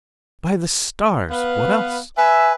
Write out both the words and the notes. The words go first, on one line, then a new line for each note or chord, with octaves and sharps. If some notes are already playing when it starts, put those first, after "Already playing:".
By the stars, what else?
B3 B4 F5
B4 E5 G#5